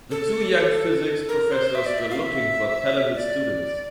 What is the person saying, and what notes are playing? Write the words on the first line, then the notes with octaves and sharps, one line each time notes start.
The two young physics professors were looking for talented students.
A4
A#4
C5
E5
D5
E5
F5
E5
D5